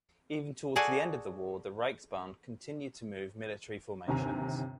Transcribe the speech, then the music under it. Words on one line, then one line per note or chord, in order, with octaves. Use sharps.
Even towards the end of the war the Reichsbahn continued to move military formations.
F#4 G#4 A4 D5 F#5 G#5
G1 D#2 C3 G#5 A#5